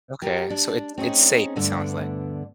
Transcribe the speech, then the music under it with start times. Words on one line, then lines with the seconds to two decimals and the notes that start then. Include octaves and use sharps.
Okay. So it it's safe, it sounds, like.
0.22 G4 G#4 A#4
0.50 D4
0.98 C4 C#4 D#4 G#4
1.56 D2 G2 D3 B3 D4 E5